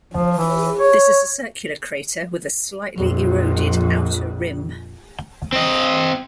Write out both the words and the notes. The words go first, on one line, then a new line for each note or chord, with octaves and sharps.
This is a circular crater with a slightly eroded outer rim.
F3
E3
C#5
A#1 F2
C4 D#5